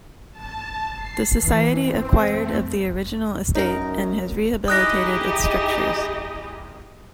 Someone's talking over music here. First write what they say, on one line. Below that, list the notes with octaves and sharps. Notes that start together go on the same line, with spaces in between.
The Society acquired of the original estate, and has rehabilitated its structures.
A5
C7
E3
C4
A3
F#2 D#4 A#4
D#4 E4 G4 G#4 D#5 D#6 F#6 A#6